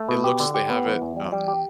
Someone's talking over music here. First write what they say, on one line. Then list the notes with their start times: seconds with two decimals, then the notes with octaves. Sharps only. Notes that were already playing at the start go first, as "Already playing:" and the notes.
it looks they have it, um
Already playing: A3
0.09 B2
0.24 G4
0.40 D3
0.54 G4
0.70 B3
0.86 E3
1.02 E2
1.16 G3
1.32 G3
1.48 G4